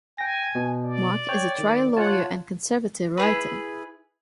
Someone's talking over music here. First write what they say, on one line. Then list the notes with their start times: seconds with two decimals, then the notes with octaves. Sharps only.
Mark is a trial lawyer and conservative writer.
0.18 G5 G#5 A#6
0.55 B2
0.85 D5
1.29 C#5 G5
1.58 D#3
1.97 F4 C#5 F#5 A5
3.17 E4 G#4 B4